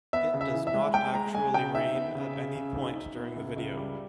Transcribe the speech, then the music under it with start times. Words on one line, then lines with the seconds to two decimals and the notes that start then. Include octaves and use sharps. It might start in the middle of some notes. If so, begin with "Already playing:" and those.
It does not actually rain at any point during the video.
0.13 B3 E5
0.34 C#3
0.41 E5
0.54 E3
0.67 E5
0.74 G#3
0.94 G#3 G5
1.14 G#3 A#5
1.34 G#3 G#5
1.54 C#3 G5
1.75 D#4 E5
1.95 B3
2.15 C#3
2.35 C#3
2.55 C#3
2.76 D#4
2.96 D#4
3.16 B3
3.36 C#2
3.57 C#2
3.76 G3